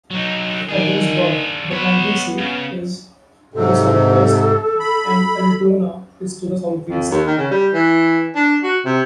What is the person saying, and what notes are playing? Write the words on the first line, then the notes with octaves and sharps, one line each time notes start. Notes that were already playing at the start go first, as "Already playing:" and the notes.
Ebensburg, the county seat, is to the southwest, and Altoona is to the southeast.
F#3 D#4
D#3 D4 G#4
B3 B4 C#5
C#3
G#2 C3 A4
B5
F2
D#2
D#3
C#3
G3
E3
D4
F#4
C3